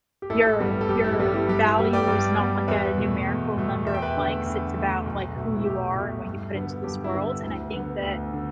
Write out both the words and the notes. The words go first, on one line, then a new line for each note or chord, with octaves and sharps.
your your value is not like a numerical number of likes, it's about, like, who you are and what you put into this world, and I think that
G4
A1 E4 A4
G2 G3 B3
A4
A1 G4
E4
G2 G3 B3 G4
E4
G2 G4
E4
G3 B3
D5 G5
G2
G3 B3
E2 B4 E5
B2 A3
E2
B2 A3
E2 E5
G5
B4 E5
D3 A3
E2
D3 A3
B1
B2 A3
E4
B1 G4
B2 A3
G2
D3 B3
G2 G4
E4
D3 B3
D2
D3 B3
D2
D3